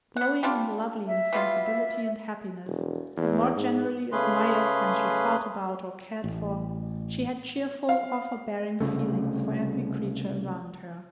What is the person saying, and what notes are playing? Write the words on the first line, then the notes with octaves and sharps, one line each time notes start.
Glowing and lovely in sensibility and happiness, and more generally admired than she thought about or cared for, she had cheerful or forbearing feelings for every creature around her.
B3 F#5
G3 D4 F4
E5
B2 G3 F4
E1
E2
G#2
C#3 A3 C#4 G#4 B4 C6
A1
F5
C2 C#3 A3